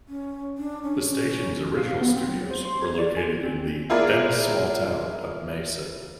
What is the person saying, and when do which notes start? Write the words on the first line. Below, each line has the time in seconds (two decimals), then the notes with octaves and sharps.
The station's original studios were located in the then-small town of Mesa.
0.08 C#4
0.58 D4
0.83 C#4
1.10 C#4
1.77 F5
2.01 B3
2.16 C4
2.28 F#3
2.51 C5
2.65 C6
2.81 G#6
2.98 D5
3.17 G#5
3.43 C4
3.90 E4 F4 G#4 A#4 D5